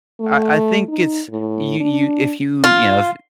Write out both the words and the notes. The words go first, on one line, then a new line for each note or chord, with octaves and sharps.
I I think it's you you if you you know, f
A3
D#4
A2
D4
F4